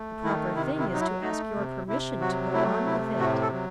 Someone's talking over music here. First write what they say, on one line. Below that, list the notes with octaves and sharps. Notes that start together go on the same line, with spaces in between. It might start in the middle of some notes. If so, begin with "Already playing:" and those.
"The proper thing is to ask your permission to go on with it."
Already playing: A3
D#3 E4
C3 E4
E4
F#3 D#4
E4
A3 D#4
C3
C3 E4
F#3 F#4
A3 E4
C3 E4
A2 F#4
A4
F#3